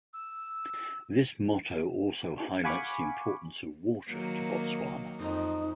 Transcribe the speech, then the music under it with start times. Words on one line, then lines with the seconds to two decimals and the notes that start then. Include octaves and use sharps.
This motto also highlights the importance of water to Botswana.
0.14 E6
2.64 F5 F#5 G#5 B5 C#6 D6
4.09 D#3 F#3 A#3
5.20 F2 D#4